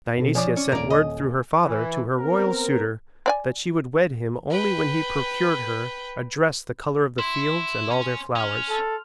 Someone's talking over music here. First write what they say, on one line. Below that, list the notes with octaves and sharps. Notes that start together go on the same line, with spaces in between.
Dionysia sent word through her father to her royal suitor that she would wed him only when he procured her a dress the colour of the fields and all their flowers.
B2 C4 A4
F3 C#5 D5 G#5 D6
C#4
D#1 A#4 D5
D#5
E3
B3 C4 A#4
C4 D5 G#5
B4 G5
E4 C6
C#4
C#4 F6 F7
A4